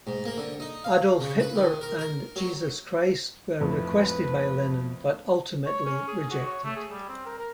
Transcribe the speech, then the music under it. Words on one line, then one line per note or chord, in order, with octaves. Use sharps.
Adolf Hitler and Jesus Christ were requested by Lennon, but ultimately rejected.
G#2
A#3
D3
D#4
F5
C#3
B4
D#3
A#4
A#4
F#3
F2 A2 B4
C#5
C#4
G#4
F#4
C#5
A3
G#4
G3
C4
A#4
A#4